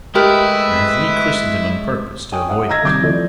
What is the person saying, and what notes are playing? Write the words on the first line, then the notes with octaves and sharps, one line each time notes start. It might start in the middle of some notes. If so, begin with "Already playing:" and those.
I have re-christened him on purpose to avoid it.
G#3 A3 E4 G4 A#4 B4 E5
C#5 G5 G#5 D#6
E5 F#5 D#6
D#5 F5 A#5 E6 G#6 A#6
D#2 C3 G3 D6 G6 G#6
E3 F3 A3 D5